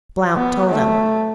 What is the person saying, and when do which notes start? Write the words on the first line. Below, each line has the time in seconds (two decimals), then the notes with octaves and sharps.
Blount told him.
0.36 B3
0.70 A3